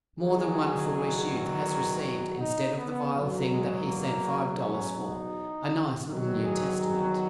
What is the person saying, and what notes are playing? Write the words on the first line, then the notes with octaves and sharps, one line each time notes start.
More than one foolish youth has received, instead of the vile thing that he sent five dollars for, a nice little New Testament.
E2 D#3 F#3 G#4
A#4
F#4
D#4
B3
E2 B2 F#3
G#3
A#3
C#4
D#4
E2 D#3 F#3
G#4
G#4